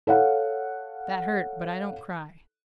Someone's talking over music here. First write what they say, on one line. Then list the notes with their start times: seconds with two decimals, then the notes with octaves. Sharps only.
"That hurt, but I don't cry."
0.07 A4 C#5 F5 F#5